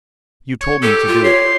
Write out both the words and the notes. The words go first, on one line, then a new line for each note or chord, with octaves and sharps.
"You told me to do it."
C#5
G4 A4
F4
C#5 C6